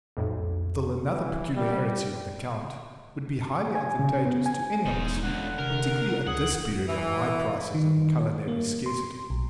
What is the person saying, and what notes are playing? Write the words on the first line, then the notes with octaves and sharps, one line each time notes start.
Still another peculiarity of the Count would be highly advantageous to any of us, particularly at this period of high prices and culinary scarcity.
B1 F2 A2
E3
G3
G#5
C#3
C#4
B3
G#5
D#1 E2 G#2 D#4
C#2 D3 F#5
C3 A#4
D2 G#4 F#5
E3
D#3
C#5
A#3
C6
B1